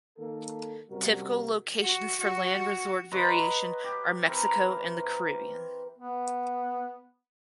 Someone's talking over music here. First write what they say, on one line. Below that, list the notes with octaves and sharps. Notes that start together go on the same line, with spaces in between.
Typical locations for land resort vacation are Mexico and the Caribbean.
D#3 A#3 A4
F#2 C3 G3 F#4 A#4
F#4
F#4
F#3 B4 D#5 C6
G4
E3 C4 A#4 A#5
B3